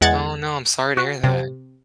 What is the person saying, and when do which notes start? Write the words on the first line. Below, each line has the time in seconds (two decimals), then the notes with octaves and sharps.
Oh, no. I'm sorry to hear that.
0.01 E2 G#3 F#5 G#6 A6
0.97 F#4
1.24 C3